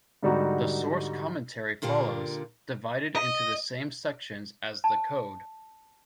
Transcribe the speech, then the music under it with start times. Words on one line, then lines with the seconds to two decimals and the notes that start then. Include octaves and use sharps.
The source commentary follows, divided into the same sections as the code.
0.23 G#2 D3 G3 D#4 F#4 G4
1.82 A#2 D3 F4 G4 A#4
3.16 D#5
4.84 A5